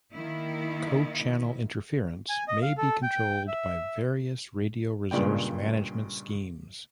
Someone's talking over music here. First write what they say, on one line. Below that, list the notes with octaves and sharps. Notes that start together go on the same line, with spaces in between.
Co-channel interference may be controlled by various radio resource management schemes.
D#3 A#3 E4
G#5
D#5
F5
A4
G5
E5
G2 A#2 C#3 G#3 D5 G5